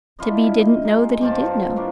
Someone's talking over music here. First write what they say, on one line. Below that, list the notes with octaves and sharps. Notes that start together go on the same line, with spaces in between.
Tibby didn't know that he did know.
D4 E4 F4 D#5
D#5
G#3 D#4
G2 C4 F4 A5
A2 A#3 D4